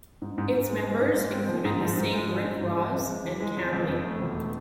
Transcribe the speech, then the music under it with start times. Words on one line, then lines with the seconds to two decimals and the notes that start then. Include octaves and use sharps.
Its members included the same Rick Rozz and Kam Lee.
0.22 G#2
0.38 G#2
0.53 G#2
0.69 G#3
0.85 C4
1.01 G#2
1.17 G#3
1.34 C4
1.49 F3
1.65 G#2
1.81 F3
1.97 G#2
2.13 G#3
2.29 F3
2.45 G#2
2.61 G#2
2.77 G#3
2.92 F2
3.09 G#3
3.25 E3
3.40 G#3
3.57 F2
3.73 F2
3.88 F2
4.04 A3
4.20 E1
4.36 A3